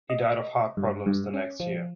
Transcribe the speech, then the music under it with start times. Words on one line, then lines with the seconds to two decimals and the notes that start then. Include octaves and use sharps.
He died of heart problems the next year.
0.10 D#5
0.77 G2
1.06 G2
1.34 C#4
1.60 F3